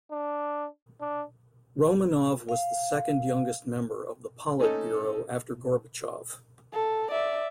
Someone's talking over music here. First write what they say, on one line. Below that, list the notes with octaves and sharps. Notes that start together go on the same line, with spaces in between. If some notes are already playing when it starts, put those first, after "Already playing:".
Romanov was the second youngest member of the Politburo after Gorbachev.
D4
D4
F5
A3 C#4 D#4 A4
A4
D5 E5